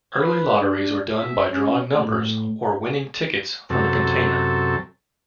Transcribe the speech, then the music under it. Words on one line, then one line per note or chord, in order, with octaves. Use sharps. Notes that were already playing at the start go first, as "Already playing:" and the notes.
Early lotteries were done by drawing numbers, or winning tickets, from a container.
B4
D4
E5
C#4
A2
F#2 C3 A4